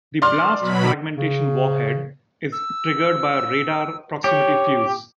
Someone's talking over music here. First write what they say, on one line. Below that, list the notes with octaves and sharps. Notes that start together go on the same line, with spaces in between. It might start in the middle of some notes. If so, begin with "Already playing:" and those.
The blast-fragmentation warhead is triggered by a radar proximity fuze.
D5 C6 F6
B2 F#3 B5
C#3
E6
G4 C#5